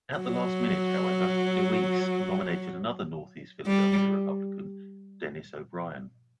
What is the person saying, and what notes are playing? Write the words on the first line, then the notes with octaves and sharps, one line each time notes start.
At the last minute, however, DeWeese nominated another Northeast Philadelphia Republican, Dennis O'Brien.
F#3
G3